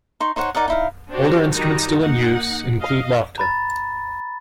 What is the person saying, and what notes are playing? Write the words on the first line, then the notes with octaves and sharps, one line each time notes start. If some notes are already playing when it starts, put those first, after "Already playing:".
Older instruments still in use include lavta.
D#4 C6 C#6
D#4 C5 C#5 F#5
D#4 A#4 D5 F#5
D#4 E4 F5
C4 D4 F#4 G4 C#5
D#3 G3 D#4 F#4 A#5
A#3 D#4 F#5
D#5 F5
A#5 B5 A6